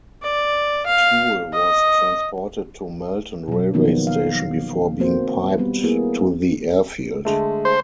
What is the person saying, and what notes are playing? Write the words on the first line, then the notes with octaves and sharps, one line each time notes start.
Fuel was transported to Melton railway station before being piped to the airfield.
D5
F5
D#5
B2 F#3
D#3 F3 A#3 B3 D#4
F5
A#3 C4 F#4 C5
G3 B3 B4
A#3 B3 E4 G#4
D3 G#3 A3
C5